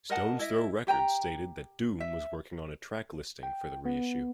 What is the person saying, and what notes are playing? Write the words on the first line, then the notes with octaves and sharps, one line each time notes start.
Stones Throw Records stated that Doom was working on a track-listing for the reissue.
A#4 D#5 F#5 A5
E4 D#5 E5
G4 G5 G#5 A#5
E5
G5
B3